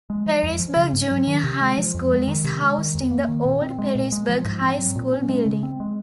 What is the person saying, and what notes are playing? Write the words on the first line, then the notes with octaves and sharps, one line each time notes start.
Perrysburg Junior High School is housed in the old Perrysburg High School building.
G#3
F3
F2
F3
C#3
G#2
F#3
D#3
C3
G#3
F3
F2
G#3
D#3
C3
G#3
D#3
F2
A#3
D#3
A#2
C4
G#3
A#2
G#3
F3
G#2
C4
F#3
A#2
C#4
G#3
C#3
C4
G#3